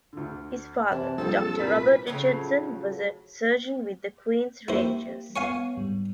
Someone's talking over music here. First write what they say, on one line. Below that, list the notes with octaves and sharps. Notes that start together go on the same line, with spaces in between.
His father Doctor Robert Richardson was a surgeon with the Queen's Rangers.
D2 D3
C3 E3 D5 A5
A#1 F2 F#3 G3 C4 A4 G5 E6
C2 A#2 A#4 B4
A2 C#3 F3 F#3
A#3 E4 G4 C5
B3 C#5 F5 G#5 C#6
G#2 G3